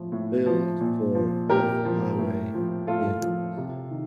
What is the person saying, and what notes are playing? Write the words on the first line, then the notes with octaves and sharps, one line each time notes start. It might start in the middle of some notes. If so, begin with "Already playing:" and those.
Built for Off-Highway vehicles.
Already playing: A2 F3
A2
F3
A#2
F3
A#2 G4 A#4
F3
A2
F3
A2 F4 A4
F3
C3
D#3